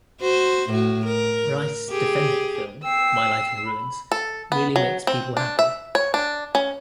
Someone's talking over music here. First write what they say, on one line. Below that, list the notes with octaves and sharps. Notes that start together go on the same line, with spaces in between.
Reiss defended the film: "My Life in Ruins" really makes people happy.
F#4 C5
A2 F#4
A#4
G4 G#4
G5 E6 C7
B5
A4
B3
F#3
C4
D4
E5
C#5
D4
C#4